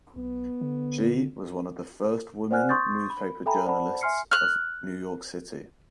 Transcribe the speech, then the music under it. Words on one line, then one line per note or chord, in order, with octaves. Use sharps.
She was one of the first women newspaper journalists of New York City.
B1 B3
D3
C5 D5 F#5 G#5 F6 F#6
C6 C#6 D#6 G6 A6
B5
A4 E5 G5 G#5 A#5 B5
C5 D5 F#5 A5 B5
E5 G#5 C6 F6 C7 C#7
F6 F#6